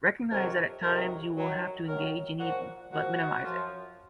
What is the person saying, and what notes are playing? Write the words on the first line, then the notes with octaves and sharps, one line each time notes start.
Recognize that at times you will have to engage in evil, but minimize it.
F2 C3 D#3 F#3 A#4
F2 C3 D#3 F#3 A#4
F#2 D#3 F#3
F#2 D#3 F#3 A#4
A#2 F3 F#4
A#2 F3 F#4
F#2 F3